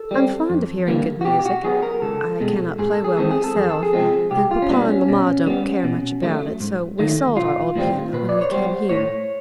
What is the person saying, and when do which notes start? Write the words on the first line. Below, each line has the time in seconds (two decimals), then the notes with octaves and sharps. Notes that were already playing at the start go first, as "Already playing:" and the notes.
'I am fond of hearing good music; I cannot play well myself; and papa and mamma don't care much about it; so we sold our old piano when we came here.'
Already playing: A4
0.11 G3 C4
0.50 F2
0.88 D3 G3 A#3
1.21 F#4
1.25 B2 G4
1.39 G4
1.45 F#4
1.64 F#3 B3 G#4
1.82 A#4
2.02 C#2 A4
2.41 B2 G#3
2.79 G#2 G#4
2.92 A4
3.04 G#4
3.17 E3 G#3 C4 A4
3.31 G#4
3.44 A4
3.55 F2 G#4
3.70 A4
3.83 G#4
3.93 C3 F3 G#3 C4
4.31 C2 G4
4.51 F4
4.62 C#4
4.70 A#2 G3 B3 D4
4.89 C#4
5.08 B2
5.46 G3 B3
5.84 B2
6.23 F#3 A3
6.60 G#2
6.99 D#3 F#3 A3
7.37 B1 F4
7.76 A2 E3 G3 C4
8.13 A#2 B4
8.29 D5
8.41 C#5
8.51 G3 B3 C5
8.89 A2 C#5